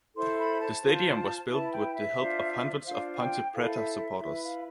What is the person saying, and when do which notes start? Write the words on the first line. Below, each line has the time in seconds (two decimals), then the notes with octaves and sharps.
The stadium was built with the help of hundreds of Ponte Preta supporters.
0.14 E4 A4 C5 C6
0.37 B5
0.59 A5
0.81 F4 C5
1.49 E4 B4 A5
1.71 G5
1.94 E5
2.17 D4 F4 C5
2.84 D4 F4 C5 F5
3.10 F5
3.18 G5
3.52 E4 A4 C5 F5
3.74 E5
3.96 E5
4.19 E4 B4 E5
4.42 F5